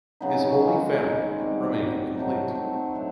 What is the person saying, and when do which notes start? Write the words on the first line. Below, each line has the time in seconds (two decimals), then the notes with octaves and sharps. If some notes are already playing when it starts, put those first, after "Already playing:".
His "Holy Family" remained incomplete.
0.20 C#3 F#3 B3 D#4
0.60 D#3 G#3 C#4
0.99 D#3 G#3 C#4
1.38 G3 C4 D#4 F#4
1.77 G3 C4 D#4 F#4
2.16 F#3 A3 C4 D#4
2.55 F#3 A3 C4 D#4
2.94 F#3 A3 D4